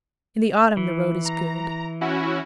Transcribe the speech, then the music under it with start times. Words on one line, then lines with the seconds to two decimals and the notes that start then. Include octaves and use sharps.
In the autumn the road is good.
0.77 E3
1.25 A#5
2.01 C#4 E4 F#4